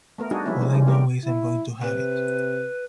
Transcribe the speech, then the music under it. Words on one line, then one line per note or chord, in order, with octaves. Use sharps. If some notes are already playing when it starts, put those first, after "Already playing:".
All I know is, I'm going to have it.
A3 B3 A#4
G3 D4 D#4 F#4 G#4
F3 G3 A#3 C#4 E4
F3 G#3 C#4 D#4
E3 G3 G#3 C#4
D3 G3 B3 C4 G4 A#4
E4
C3 B4